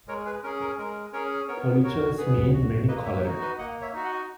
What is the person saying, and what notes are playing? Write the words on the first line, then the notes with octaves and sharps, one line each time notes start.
"Polychrus" means "many colored".
G#3 A#4 C#5
G#4 B4
C#4 G#4 A#4
A#4
G#3 A#4
C#4 G#4 A#4 C#5
B3 A#4 C#5
F#4 A#4 C#5
B3 G#4 B4
F#4
A#3 B4 D#5
C#5 E5
D#4 F#4
B4 D#5
A#3 D#5 F#5
C#5 E5
D#4 F#4
D#5 F#5